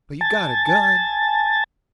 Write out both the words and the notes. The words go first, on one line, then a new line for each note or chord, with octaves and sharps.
But you got a gun.
G#5 A5 A6